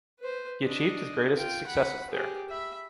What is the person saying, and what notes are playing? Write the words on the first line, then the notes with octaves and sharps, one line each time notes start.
He achieved his greatest successes there.
B4 C5
D4 D#5
F4 G5
F#5 B5
G4 G#4
E5 B5